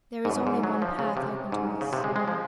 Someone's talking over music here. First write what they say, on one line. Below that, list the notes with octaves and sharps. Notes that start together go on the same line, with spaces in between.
There is only one path open to us.
G#2
F#2
G#2
F#3
F3
C#3
C3
G#2
C#3
C3
G#3
G#3
F3